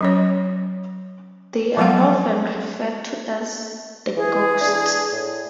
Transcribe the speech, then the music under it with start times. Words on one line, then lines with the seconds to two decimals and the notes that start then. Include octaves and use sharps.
They are often referred to as "the Ghosts".
0.01 F#3 C#4 C#5
1.77 F3 F#3 G#3 B3 F5 F#5
4.16 E3 G#4
4.61 D4
5.12 A2